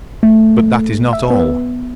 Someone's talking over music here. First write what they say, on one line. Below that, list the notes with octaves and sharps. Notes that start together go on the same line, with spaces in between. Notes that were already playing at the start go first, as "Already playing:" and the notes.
But that is not all.
A3
E5
B3